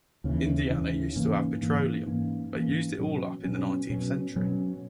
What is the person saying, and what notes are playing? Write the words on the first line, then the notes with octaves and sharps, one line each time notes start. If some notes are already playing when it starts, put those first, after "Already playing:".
Indiana used to have petroleum but used it all up in the nineteenth century.
D#2 C#3 E3
D#2 C#3 E3
G#2 E3 A#3 C#4
G#2 E3 A#3 C#4
G#2 E3 A#3 C#4
G#2 E3 A#3 C#4
B2 F#3 C#4
B2 F#3 C#4
B2 F#3 C#4
B2 F#3 C#4